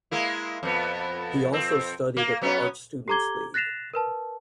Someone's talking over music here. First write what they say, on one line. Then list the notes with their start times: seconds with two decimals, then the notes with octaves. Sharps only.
He also studied at the Art Students League.
0.11 G#3 A#3 E4
0.63 F2 B3
1.52 F2 C4
2.17 A#3
2.41 F#3 B3 C#4
3.08 G4 A4 A#5 D6 G#6 G7
3.54 F#6 A6 A#6 C7 E7 F7
3.94 A#4 B4 A5